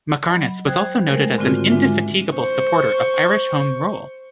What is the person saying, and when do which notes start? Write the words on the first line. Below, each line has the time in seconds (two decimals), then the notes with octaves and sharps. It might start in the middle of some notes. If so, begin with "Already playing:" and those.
Mackarness was also noted as an 'indefatigable' supporter of Irish Home Rule.
0.25 F#3 D#5 B5
0.66 C5 G5 D#6 F#6 G#6
1.07 G#3 A3 A#4 C5
1.38 G#2 D3 D#3 C4 F4 F#4
1.69 G#3 D4 F4 E5
2.33 C5 C#6